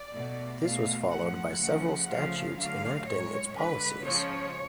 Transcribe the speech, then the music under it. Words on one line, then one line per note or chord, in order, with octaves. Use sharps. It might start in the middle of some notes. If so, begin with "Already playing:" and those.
This was followed by several statutes enacting its policies.
Already playing: D5
B2 A3
B2 A3 F5
A2 F3 A3 F#5
C#3 F3 A3
C#3 F3 A3 F5
D3 F#3 A3 F5
A2 G#3 C#5
D3 G#3 B4
C#3 F3 G#3 C#5